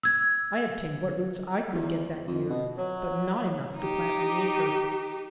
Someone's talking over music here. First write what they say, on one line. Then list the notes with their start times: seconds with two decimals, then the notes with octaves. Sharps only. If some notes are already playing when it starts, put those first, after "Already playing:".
I obtained what roots I could get that year, but not enough to plant an acre.
0.03 E6 G#6
1.72 E2
2.27 F2
2.50 B2
2.77 F#3
3.77 D#4 G4